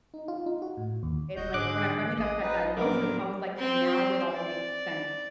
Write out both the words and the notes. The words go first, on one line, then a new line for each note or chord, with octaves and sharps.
and like, when I finally got that diagnosis, I was like, "Now it all makes sense."
D#4
F4
D#4
F#4
A2
D#2
E1 F#4 D#5 G6
G#2 D3 G#4 D6 F#6
E3
A1 G#4 D#5
D#4 B4
F3 F#3 A#3 B3 D4 A#4 D6
C4 C6
D5